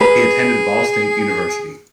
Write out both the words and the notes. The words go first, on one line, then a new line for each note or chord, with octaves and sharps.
He attended Ball State University.
G#4 B4